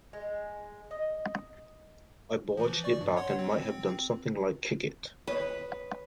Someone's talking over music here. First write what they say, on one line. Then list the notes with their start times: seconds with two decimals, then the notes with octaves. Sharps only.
I barged it back and might have done something like kick it.
0.13 G#3
0.91 D#5
2.57 E3 F3
2.84 D5 C#6
3.01 G2
3.17 C#5 F#5 C6
3.39 C4
5.27 B4 C#5 D#5